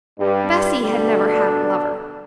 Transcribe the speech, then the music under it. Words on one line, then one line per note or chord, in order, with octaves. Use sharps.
Bessy had never had a lover.
G2 G3
B2 D3 G3 A4
D4